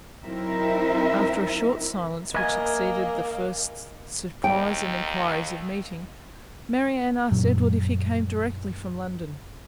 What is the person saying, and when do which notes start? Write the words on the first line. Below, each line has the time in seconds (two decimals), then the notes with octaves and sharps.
After a short silence which succeeded the first surprise and enquiries of meeting, Marianne asked Edward if he came directly from London.
0.24 F#3 C4 D#4 E4 A#4 E5
2.34 A#3 A#4 D#5 E5 G#5
4.44 D#2 G5
7.31 F#2 A#2 F#3